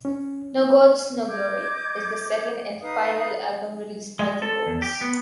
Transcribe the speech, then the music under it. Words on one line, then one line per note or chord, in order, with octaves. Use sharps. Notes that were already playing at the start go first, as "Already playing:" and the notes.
"No Goats, No Glory" is the second and final album released by The Goats.
C#4
D#5 D6 G6 G#6
D#4 B4 F5 D#6
G#3
A4
E2
G4
B3